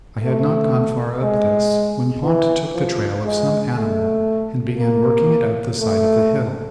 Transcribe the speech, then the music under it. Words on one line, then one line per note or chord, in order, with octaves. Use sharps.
I had not gone far up this when Pont took the trail of some animal and began working it up the side of the hill.
A3
G#3
E3
F3
G#3
A3
A#3
A3